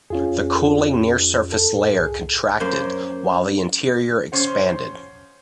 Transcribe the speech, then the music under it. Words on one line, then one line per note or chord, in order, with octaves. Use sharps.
The cooling near-surface layer contracted, while the interior expanded.
F2 C#4 F4 G#4
A4
A2
C2 G#4
F#2 A#3 C5 F5
F3 C#4 C5 F#5